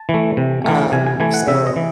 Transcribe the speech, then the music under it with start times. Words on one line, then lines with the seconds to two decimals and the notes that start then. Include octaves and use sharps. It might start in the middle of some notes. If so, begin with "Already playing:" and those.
Um, so,
Already playing: A5
0.09 E3
0.14 A3
0.37 C3
0.64 E3 A3
0.92 C3 G#5
1.06 G#5
1.20 E3 A3 G#5
1.34 F#5
1.48 C3 E5
1.67 D#5
1.76 E3